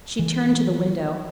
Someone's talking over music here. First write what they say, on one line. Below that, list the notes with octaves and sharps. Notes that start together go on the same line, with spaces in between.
She turned to the window.
E3